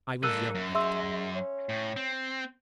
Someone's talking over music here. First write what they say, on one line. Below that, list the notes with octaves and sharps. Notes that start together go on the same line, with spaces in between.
I was young at the time.
G3 A#3 A4 E6 F#6 D#7
F#2
G#3 E5 C6 E6
C#4
A2
C4